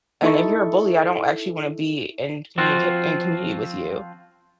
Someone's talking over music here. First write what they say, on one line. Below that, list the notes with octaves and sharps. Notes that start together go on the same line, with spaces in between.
And if you're a bully, I don't actually want to be in communica in community with you
D#4 E4 A4 C#6
F3 C4 F4 F#4